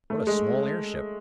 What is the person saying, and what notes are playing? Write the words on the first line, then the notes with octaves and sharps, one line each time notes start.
"What a small airship."
A3
G#3